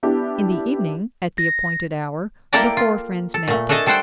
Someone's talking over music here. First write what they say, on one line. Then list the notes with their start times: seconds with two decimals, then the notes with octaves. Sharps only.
In the evening, at the appointed hour, the four friends met.
0.03 B3 D4 E4 G4
1.38 A#6
2.53 A#3 E4 A4 D5 G5 A#5
2.77 F4
3.34 A4
3.48 A#2 A3
3.69 A3 D4 A4 D#5 G#5 A5
3.86 G3 A4 C5 F#5 G5